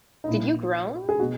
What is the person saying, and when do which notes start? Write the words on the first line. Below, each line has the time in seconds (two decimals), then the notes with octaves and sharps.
Did you groan?
0.24 D#4
0.28 A#1 A#2 A#3 E4
1.09 G#4
1.20 F#4
1.22 B2